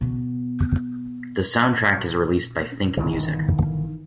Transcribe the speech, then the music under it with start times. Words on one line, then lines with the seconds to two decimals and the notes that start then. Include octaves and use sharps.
The soundtrack is released by Think Music.
0.01 B2 B3
2.97 G1 C3 D#3 E3